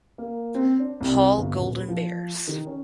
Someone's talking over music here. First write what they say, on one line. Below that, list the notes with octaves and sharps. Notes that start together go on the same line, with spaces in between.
Paul Golden Bears.
A#3
C4
D4
C2
G1
D#1
B4
F3
D#3
C#4